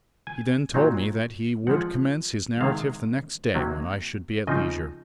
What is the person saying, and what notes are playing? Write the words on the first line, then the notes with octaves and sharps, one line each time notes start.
He then told me that he would commence his narrative the next day when I should be at leisure.
G#5
A#2 F#3 C4 D#4
F3 G#3 C4 F#5
C3 D#3 G#3 F5
C3 F#3 A#3 D#4
C#3 F3 C4 D#4 D#5